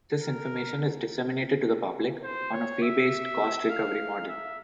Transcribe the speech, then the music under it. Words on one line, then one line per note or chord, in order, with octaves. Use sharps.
This information is disseminated to the public on a fee-based cost-recovery model.
A#4
C5
C#5
E5
F5
E5